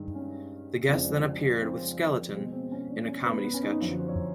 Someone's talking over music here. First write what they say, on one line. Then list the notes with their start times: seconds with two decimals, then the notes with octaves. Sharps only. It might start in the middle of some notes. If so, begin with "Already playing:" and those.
The guest then appeared with Skelton in a comedy sketch.
Already playing: G2 D#3 G#3
0.15 C#4
0.87 F2 C#3 F3 G#3 D4
1.62 C4
2.34 B2 G#3 C4
2.52 C4
2.72 C#4
2.90 D4
3.08 C#4
3.25 B3
3.44 B3
3.54 C#4
3.63 D#4
3.81 F#2 D3 F3
3.90 F#4
3.99 C5
4.08 C#5